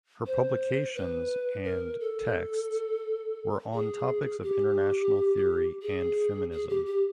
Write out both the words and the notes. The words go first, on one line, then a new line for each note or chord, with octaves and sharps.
Her publications and texts were on topics of international theory and feminism.
C5
B4
A#4
A4
G#4
G4
G#4
G#4
G4
G4